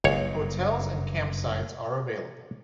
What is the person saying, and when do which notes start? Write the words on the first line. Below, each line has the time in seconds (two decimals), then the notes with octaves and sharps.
Hotels and campsites are available.
0.04 F#1 C#2 G2 C#5